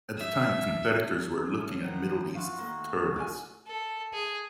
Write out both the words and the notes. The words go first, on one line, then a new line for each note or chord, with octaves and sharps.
At the time, competitors were looking at Middle East terrorists.
E5
F#3 A3 C#4
D#3 F3 E4 F#5 A#5
F4 F#4 F5
D#2 A3 A#3 D#4
F2 A3 D#4 D5 G#5
A4
G#4